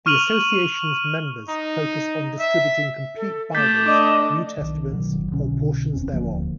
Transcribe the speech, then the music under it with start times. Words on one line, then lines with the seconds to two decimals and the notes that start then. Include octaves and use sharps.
The association's members focus on distributing complete Bibles, New Testaments, or portions thereof.
0.06 C#6 F6 D#7 F7 F#7
1.49 D#4
2.40 E5
3.16 A4
3.55 A3 A4 D6 G6 A6 B6
3.86 D4 D#5 D6
4.58 B1 D#3
4.92 A1 B2 D#3 F#3
5.13 G1 F#3
5.32 B1 B2 D3 C#4
5.93 F1 E2 C4 C#4
6.11 D#1 D2 F3 A#3